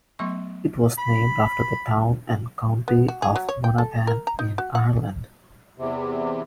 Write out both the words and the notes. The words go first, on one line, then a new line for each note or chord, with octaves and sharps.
It was named after the town and county of Monaghan in Ireland.
F#3 A3 B3 E5 C6 C#6
B5
B3
F#4
G#4
F#3
C#5
G5
A4
A#4
A#5
D#4
F#4
F#5
E2 C3